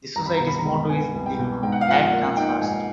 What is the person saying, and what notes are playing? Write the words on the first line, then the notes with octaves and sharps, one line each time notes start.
The society's motto is "The Hat Comes First".
C2 A#5
B5
B2 A#5
B5
A#5
G#3
B3 G#5
C2
G5
B2
G#2 G5
F#5
F5
F3 F#5
A#3
D#4 G5
G#2 G#5